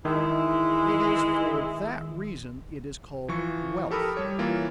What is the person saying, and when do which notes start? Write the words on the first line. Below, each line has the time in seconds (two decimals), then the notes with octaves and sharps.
It is for that reason it is called wealth.
0.05 D#3 E3 G#3 E4
3.28 E3 F3 C#6
3.91 G4 A4 A#4 B5 D#6
4.17 G3 C#5
4.39 E3 A#3 F4